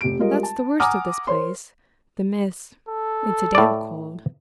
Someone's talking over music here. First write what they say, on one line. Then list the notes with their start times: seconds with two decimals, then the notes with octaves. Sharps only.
That's the worst of this place--the mists--it's a damp cold.
0.01 F1 G4 D7
0.19 G3 G#3 F4 A#4 D#5
0.43 A5
0.80 F#5 G#5 A#5 D6 D#6 F6
1.27 A#4 C5 C#5 C6
2.88 A4
3.55 A2 D5